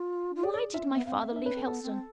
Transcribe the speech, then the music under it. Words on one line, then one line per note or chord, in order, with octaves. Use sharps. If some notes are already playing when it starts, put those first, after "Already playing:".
Why did my father leave Helstone?
Already playing: F4
F4
G#4 D5
D5
F4 E5
C4
B3 E5
C4 F5
E5
E4
D4 E5
B4
C4 A4
B3 A4
C4